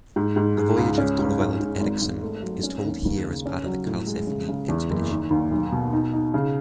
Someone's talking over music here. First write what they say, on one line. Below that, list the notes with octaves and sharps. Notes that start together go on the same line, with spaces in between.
The voyage of Thorvald Eriksson is told here as part of the Karlsefni expedition.
G#2
G#2
G#3
C#2
C#4
G#2
G#2
G#2
G#1
G#1
A3
F#3
C#4
D#2
D#2
C#3
C#4
F#3
A2
G#3
C#3
C#3
E2
F#1
D#3
D#2
B1
B2
D#4
D#4
C#3